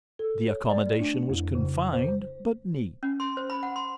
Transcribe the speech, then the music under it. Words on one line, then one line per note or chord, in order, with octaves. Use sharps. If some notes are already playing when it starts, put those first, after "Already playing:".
The accommodation was confined, but neat.
A4
C#5
D5
A3
D4
F2
C#3
C5
C#4
C6
C5
B5
F#5
C6